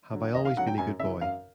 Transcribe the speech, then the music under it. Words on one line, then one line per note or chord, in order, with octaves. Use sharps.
Have I always been a good boy?
D3 F#3
D#2 D#5
F5
D3 F#3 F#5
G5
F#2 G#5
C#3 E3 E5
F#2 F5